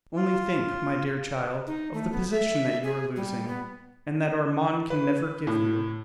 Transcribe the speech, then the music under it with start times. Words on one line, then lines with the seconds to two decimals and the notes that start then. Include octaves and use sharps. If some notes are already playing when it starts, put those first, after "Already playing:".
Only think, my dear child, of the position that you are losing, and that Armand can never give you.
0.16 F4
1.67 D#4
1.94 A3
2.12 B3
2.31 E5
2.83 G#4
3.16 G3
3.48 B3
4.90 B4
5.47 A2